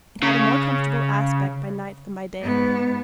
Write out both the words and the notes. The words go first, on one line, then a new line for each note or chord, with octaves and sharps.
It had a more comfortable aspect by night than by day.
C#3
G#2 B3